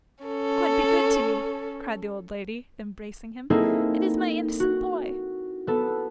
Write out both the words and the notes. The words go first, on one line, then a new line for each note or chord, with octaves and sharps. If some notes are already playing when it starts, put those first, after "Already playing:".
'God be good to me!' cried the old lady, embracing him; 'it is my innocent boy!'
C#4 A4
A#3 C4 D#4 E4 G#4 A4
F#4
B3 A4